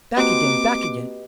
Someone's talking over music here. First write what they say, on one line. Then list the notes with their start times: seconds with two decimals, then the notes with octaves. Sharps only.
'Back again! back again!
0.16 A#3 C4 F#4 G4 B4 D#5 D6